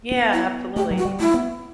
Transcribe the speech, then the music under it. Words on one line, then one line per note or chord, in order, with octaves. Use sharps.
Yeah, absolutely.
B3
E4
A3 G4
F#3
F#4
G3
A3 E4
B3